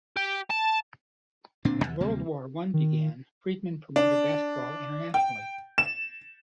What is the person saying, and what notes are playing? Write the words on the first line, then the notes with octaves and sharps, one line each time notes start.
When World War One began, Friedman promoted basketball internationally.
G4
A5
D1 A#2 C4 D4
D#2 E3
D2 C3 G3 A#3
D#3
D4
G5
E7